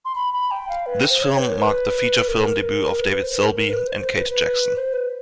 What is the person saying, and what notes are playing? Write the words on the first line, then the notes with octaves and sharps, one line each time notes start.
This film marked the feature film debut of David Selby and Kate Jackson.
C6
B5
B5
G5
F5
B4
C5
C#5
B4
A#4
B4
A#4
A#4
B4
B4
C5
B4
A#4
A#4
B4
C5
C5
B4
B4
C5
B4